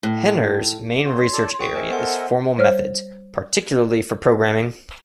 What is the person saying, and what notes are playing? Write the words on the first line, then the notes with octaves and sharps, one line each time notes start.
Hehner's main research area is formal methods, particularly for programming.
A2
C4 F#4 C5 C#5 C6
A4 D5 A5
F#4 G#4 G5 C#6
A#4 C5 D#5 E5 G#5
B3 A4 A#4 C5 F#5 C6
G3 C5 C#5 F6